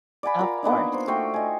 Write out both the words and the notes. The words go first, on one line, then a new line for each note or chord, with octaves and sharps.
Of course.
D5 F#5 G#5 B5
F4 A#4
A#3 B3 D4 D#4
C5
A3 F#4 G5 C6
D#5 G#5